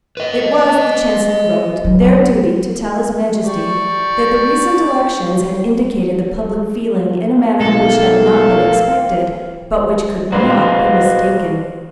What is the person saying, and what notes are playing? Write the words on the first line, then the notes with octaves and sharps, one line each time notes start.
It was, the Chancellor wrote, their duty to tell His Majesty that the recent elections had indicated the public feeling in a manner which had not been expected, but which could not be mistaken.
B4 D#5
F#3
G4 D5 C#6
B1 A3 A#3 A4 F5
A#1 B2 F#4 B4 C5 F5